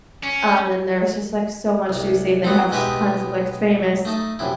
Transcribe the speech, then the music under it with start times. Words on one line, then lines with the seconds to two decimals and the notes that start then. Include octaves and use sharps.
Um, and there's just, like, so much to be seen, they have s tons of, like, famous
0.24 C#4
1.89 C2
2.44 F#3 B3 C4
2.72 B2 G#3 D#4 G4 B4 E5
4.05 A3 D#4 A5
4.39 F#2 C3 E4